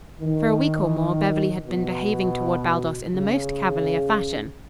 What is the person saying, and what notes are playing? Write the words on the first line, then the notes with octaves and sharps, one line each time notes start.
For a week or more Beverly had been behaving toward Baldos in the most cavalier fashion.
D#3
B2
C#3